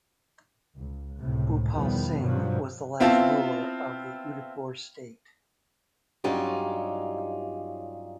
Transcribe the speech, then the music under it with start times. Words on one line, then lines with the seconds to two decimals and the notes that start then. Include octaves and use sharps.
Bhupal Singh was the last ruler of the Udaipur State.
0.76 C#2
1.19 C#2 A2 C3
1.71 E2 B2 D#3 F3 G3 B3
2.19 G2 B2 F3 F#3
3.00 B3 C4 E4 F4 F5 A5
6.24 G2 F#3 C#4 D#4 F4 G4